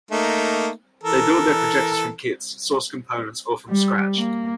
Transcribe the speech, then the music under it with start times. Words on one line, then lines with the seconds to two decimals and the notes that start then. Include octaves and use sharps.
They build their projectors from kits, sourced components, or from scratch.
0.11 A3 A#3 D#4
1.04 E3 A4 A#4
3.69 G3
4.16 A#3